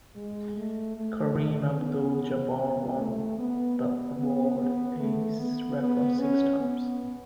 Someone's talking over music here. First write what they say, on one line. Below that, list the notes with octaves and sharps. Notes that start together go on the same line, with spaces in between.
Kareem Abdul-Jabbar won the award a record six times.
G#3
A3
A3
B3
B3
A3
B3
B3
B3
B3
A3
B3
B3
C#4
B3